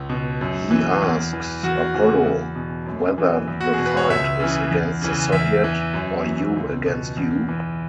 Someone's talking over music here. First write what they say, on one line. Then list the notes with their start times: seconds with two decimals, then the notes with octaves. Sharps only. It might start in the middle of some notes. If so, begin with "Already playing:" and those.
He asks Apollo whether the fight is against the Soviet, or you against you?
Already playing: C#2
0.10 B2
0.41 F#2
0.71 E3
1.02 E2
1.33 E3
1.64 E2 F#4
1.94 C#3 E3
2.25 E2
2.56 B2
2.86 F#2
3.18 E3
3.48 E2
3.61 F#4
3.73 G#4
3.79 B2
3.86 B4
3.97 C#5
4.10 C#2 E5
4.40 C#3 E3
4.71 E2
5.01 C#3 E3
5.32 E2 E5
5.64 E3
5.94 F#2
6.26 E3
6.56 C#2
6.86 B2
7.17 E2
7.49 E3